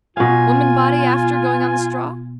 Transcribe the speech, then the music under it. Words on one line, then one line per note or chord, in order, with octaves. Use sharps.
Womanbody after going on the straw?
B2 F4 F5 G#5